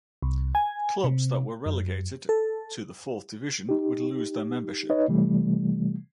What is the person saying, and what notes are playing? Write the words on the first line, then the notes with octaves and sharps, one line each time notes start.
Clubs that were relegated to the fourth division would lose their membership.
C2
G#5
C3
F#2
A4
D#4 G4
D#4 B4 C#5 D#5
C3 E3 G3 A3